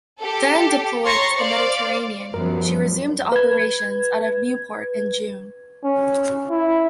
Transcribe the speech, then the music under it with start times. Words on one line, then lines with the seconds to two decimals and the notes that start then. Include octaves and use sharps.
Then deployed to the Mediterranean, she resumed operations out of Newport in June.
0.20 G4 A4
1.04 C#5 A#5 C6 C#6 A6 A#6
1.35 C5 D5 F5
2.34 F#2 F3 G3 B3 A#4
3.32 B4 G#6
5.84 C#4
6.50 E4